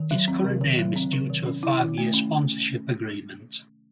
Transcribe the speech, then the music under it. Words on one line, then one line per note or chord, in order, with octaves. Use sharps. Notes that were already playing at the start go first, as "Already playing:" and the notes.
Its current name is due to a five-year sponsorship agreement.
Already playing: D#3
F#3
C4
C3
D#3
F#3
C4
C3
D#3
C#4
E4
D#3
A3
C#4